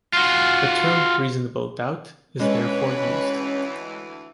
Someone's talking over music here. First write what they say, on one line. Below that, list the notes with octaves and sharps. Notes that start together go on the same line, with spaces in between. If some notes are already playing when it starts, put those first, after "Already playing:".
The term "reasonable doubt" is therefore used.
F4 F#4
D2 E3 G#3 C#4 B4 C#5